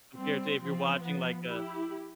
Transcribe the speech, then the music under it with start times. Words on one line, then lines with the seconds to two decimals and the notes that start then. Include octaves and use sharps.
compared to if you're watching, like, a
0.17 G3 C4
0.61 F3 C4
1.04 F3 B3
1.47 E4 G4